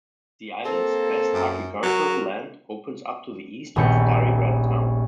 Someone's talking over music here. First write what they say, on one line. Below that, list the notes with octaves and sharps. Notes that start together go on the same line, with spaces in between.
The island's best agricultural land opens up to the east of Stari Grad town.
A#3 C4 A4
F#2
F#3 F#4 A#4
D#1 A#1 B3 C#5 G6 C#7